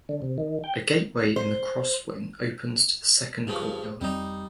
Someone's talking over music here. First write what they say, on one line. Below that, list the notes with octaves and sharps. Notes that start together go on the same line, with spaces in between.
A gateway in the cross wing opens to the second courtyard.
D3
C3
D#3
G5
C5
G2 C#3 F3
F2 G3 C4 D#4